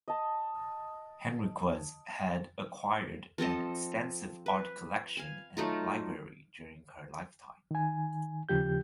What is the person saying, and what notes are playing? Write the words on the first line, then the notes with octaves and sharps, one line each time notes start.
Henriquez had acquired an extensive art collection and library during her lifetime.
D#5 A5
F3 C4 A4 D#5
B4
F5 G#5
F#3 A3 D#4 F4
D#3 G#5
D#2 C#3 F3 G4 G6